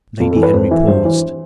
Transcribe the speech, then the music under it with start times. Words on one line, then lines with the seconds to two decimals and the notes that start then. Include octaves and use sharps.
Lady Henry paused.
0.20 F2 F4
0.31 A4
0.36 E3
0.43 B4
0.53 F2 C5
0.71 E3 E5
0.88 G2 C5
1.05 E3 C5